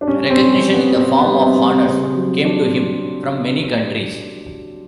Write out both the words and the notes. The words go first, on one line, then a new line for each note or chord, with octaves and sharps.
Recognition in the form of honours came to him from many countries.
D4
G3 C#4
C4
B2
C4
G3
B3
B2 C4
B3
G3
C4
G3
B3
C#3 C4
F#3
F#3 D4